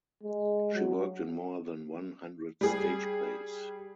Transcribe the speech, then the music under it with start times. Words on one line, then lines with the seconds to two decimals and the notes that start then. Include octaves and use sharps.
She worked in more than one hundred stage plays.
0.23 G#3
0.74 F#3
2.61 G3 G#4